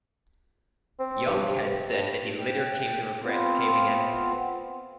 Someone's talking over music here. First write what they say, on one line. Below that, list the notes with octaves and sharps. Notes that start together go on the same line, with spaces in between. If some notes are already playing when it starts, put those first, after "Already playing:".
Young has said that he later came to regret caving in.
C4
G2
G2
G5
B3 C4 F4